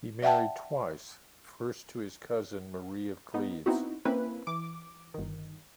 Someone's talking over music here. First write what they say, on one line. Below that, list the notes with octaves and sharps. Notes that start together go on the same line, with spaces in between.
He married twice, first to his cousin, Marie of Cleves.
D5 E5 F#5 G5 A5
B3 D#4
B3 C4 D#4 E4 F#4
A#3 C4 C#4 E4 B4
E3 D6
G1 D#3